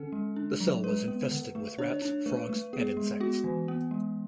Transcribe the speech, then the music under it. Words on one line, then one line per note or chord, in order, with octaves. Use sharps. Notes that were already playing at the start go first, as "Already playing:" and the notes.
The cell was infested with rats, frogs, and insects.
Already playing: D3 C#4 A4
G#3
D4
F#3
G#3 B4
B3
D3
A3
D4 C#5
D4
A3 B4
A3
B3 G#4
G#3
B3 F#4
E3
B3
G#3